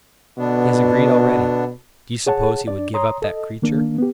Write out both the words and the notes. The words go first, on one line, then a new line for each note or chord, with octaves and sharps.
He has agreed already: do you suppose he would give up that creature?
B2 D3 B3 D4
G#4 C#5 F#5 A5
D4 D5
C#5 A#5 C6 D#6
A4 D#5
D#3 A#3 D4
B3 G4